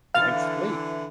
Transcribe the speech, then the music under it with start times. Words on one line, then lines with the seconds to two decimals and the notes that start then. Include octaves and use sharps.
Blank slate.
0.14 D3 E3 F5 F6 A6